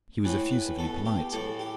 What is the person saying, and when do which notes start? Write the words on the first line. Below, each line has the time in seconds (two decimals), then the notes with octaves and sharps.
He was effusively polite.
0.25 A2 E3 B4
0.51 B4
0.78 B2 A4
1.05 G4
1.32 A2 E3 A4
1.59 G4